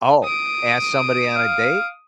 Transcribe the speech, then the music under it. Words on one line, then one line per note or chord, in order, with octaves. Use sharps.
Oh, ask somebody on a date?
D#6 D7
F5